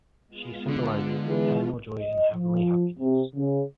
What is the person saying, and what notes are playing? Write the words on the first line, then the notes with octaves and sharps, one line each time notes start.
She symbolizes eternal joy and heavenly happiness.
G#3 B3 F4
D3
E3 G#4
D#5
F3
C3
C#3